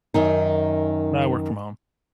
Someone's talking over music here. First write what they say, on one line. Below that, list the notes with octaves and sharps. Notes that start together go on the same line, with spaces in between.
No, I work from home.
F#2 D#3 D#4